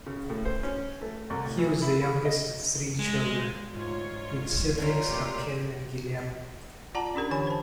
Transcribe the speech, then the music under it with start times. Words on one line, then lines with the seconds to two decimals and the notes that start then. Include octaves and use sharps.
He was the youngest of three children, with siblings Raquel and Guillermo.
0.06 C#3
0.30 A2
0.45 C5
0.63 C#4
1.01 A3
1.30 C2
1.45 A2
1.58 E3
1.82 E4
2.02 B5
2.25 D#5
2.99 G#3
3.75 D2 G#2 F4 C#5
4.78 D3 D#3 C#4 F4 A#4
5.10 B2 A3 A#3 G4
6.94 F4 D5 F#5 A5 A#5
7.15 C#4 D4 G4 A#4
7.30 D3 E3 C#5 G#5 B5
7.47 C5 A5